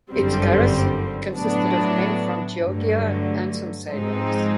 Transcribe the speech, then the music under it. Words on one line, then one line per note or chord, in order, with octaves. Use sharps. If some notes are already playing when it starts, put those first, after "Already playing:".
Its garrison consisted of men from Chioggia and some sailors.
G1 F#2 D3 G3 C4
A2 F#3 B3 D4
G2 D3 F#3 A3
G#2 F3 G#3 C4 D#4